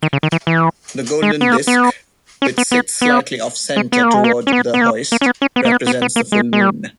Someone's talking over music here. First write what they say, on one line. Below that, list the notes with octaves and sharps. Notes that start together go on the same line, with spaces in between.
The golden disk, which sits slightly off-centre toward the hoist, represents the full moon.
D#3
C#3
D#3
E3
E3
G#3
B3
A#3
B3
C#4
B3
B3
B3
G#3
B3
A#3
G#3
A#3
C#4
B3
B3
A#3
A#3
C#4
B3
C#4
B3
A#3
B3
B3
B3
A#3
G#3
G#3
G3